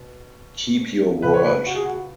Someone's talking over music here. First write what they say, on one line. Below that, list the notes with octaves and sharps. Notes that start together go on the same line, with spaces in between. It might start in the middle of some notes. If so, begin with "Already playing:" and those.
Keep your word.
Already playing: B2
C#2 B2 B3 B4
C#5
B4
F#4
G#4
F#4